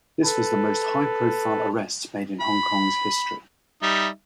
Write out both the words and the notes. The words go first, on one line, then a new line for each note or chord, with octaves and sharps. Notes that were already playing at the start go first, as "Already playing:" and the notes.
This was the most high-profile arrest made in Hong Kong's history.
A4 B4
B5
G3 D#4 E5